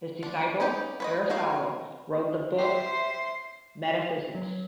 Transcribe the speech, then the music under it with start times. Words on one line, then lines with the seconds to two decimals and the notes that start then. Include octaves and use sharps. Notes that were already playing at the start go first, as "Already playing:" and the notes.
His disciple Aristotle wrote the book Metaphysics.
0.23 D4
0.60 C#4 D#4 G4 B4
1.00 B4 C#5 D#5
1.30 D#4 F#4 A#4 C#5 F5
2.59 G4 C5 E5 C6 C7
4.35 F#3